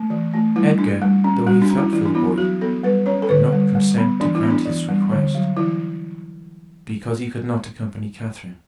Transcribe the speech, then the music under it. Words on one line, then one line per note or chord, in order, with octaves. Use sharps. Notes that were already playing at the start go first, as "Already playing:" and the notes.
Edgar, though he felt for the boy, could not consent to grant his request; because he could not accompany Catherine.
Already playing: A3
E3
A3
G3 E4
D4
G3
C#4
G3 F#4
D4
C#4
E4
E3 E4
D4
B3 E4
F#3 F#4
B3 A4
G3 B4
C#4 C#5
A4
D3 B4
G3
G3
B3
E3 D4
E4
B3
D4
E3
G3
D3
F#3
E3 E4